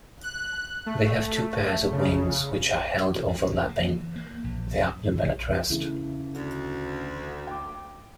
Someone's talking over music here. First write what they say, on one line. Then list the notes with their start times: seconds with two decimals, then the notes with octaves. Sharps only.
They have two pairs of wings, which are held overlapping the abdomen at rest.
0.23 F#6
0.86 A3
1.92 C#3
3.28 G2
3.51 F#1
3.69 A#3
3.82 E3
4.16 A#3
4.44 A#1
4.72 F#2
5.70 C#3 E3 A3
6.35 D2
7.47 G5 D6